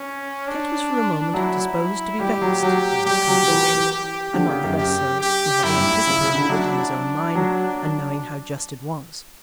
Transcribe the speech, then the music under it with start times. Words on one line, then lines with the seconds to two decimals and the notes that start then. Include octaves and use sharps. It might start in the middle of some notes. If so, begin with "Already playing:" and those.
Kit was for a moment disposed to be vexed by this contradiction, and not the less so from having anticipated it in his own mind and knowing how just it was.
Already playing: C#4
0.48 D4
1.34 F#3 E4
2.20 G3 G4
2.42 F#3
2.63 F#3
3.06 G3 G4
3.27 F#3
3.48 E3
3.92 G4
4.34 D3
4.49 C#3
4.63 F#2
4.78 G4
5.21 G4
5.63 F#2 E4
5.78 G2
6.07 C#3
6.21 C#3
6.35 D3
6.49 F#3 D4
7.35 F#3